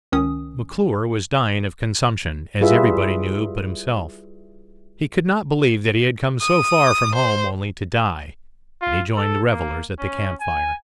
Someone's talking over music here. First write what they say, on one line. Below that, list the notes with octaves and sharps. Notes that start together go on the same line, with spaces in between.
McClure was dying of consumption as everybody knew but himself; he could not believe that he had come so far from home only to die, and he joined the revellers at the camp fire.
C#2 D#3 C#4 D#6
G3 E4 F4 G#4 B4 E5
D#6
C5
F4
A4
A#3
C#4
G#5